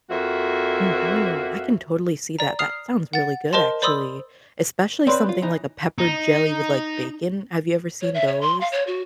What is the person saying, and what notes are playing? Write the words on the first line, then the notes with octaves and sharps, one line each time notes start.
Mhm. I can totally see that, that sounds really good, actually. Especially something like a pepper jelly with, like, bacon. Have you ever seen those?
F2 A#3 F#4 E5
D5 A#5
D#6 F6 C7 F7
F#5 A6
A#4 C5 D#5 A5 C6
C5 D5 B5 C6 D#6 E6
C4 B4 C#5 D5 C6
F4
E3 D#4
D#4
C#5
E5
C#5
C6
F5
C#5
F#4